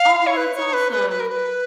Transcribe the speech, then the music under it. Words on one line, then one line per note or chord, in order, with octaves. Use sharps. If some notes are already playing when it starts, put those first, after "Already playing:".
oh, that's awesome!
Already playing: F5
C#5
B4
C#5
B4
B4
B4
A#4
B4